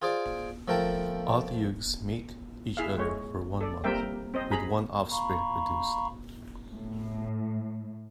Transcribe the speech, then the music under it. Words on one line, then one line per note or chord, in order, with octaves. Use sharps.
Otyughs mate each year for one month, with one offspring produced.
F4 G#4 C5 D5 D6
F3 A3 A#4 G5 A5
E4 G#4 E5 F5
G#3 C#5
A4 D5
G3 A#3 C4 A#4 E5 G5
C4 C5 D#5
G#4 A#5 B5
F5 A#5 B5 C#6
A2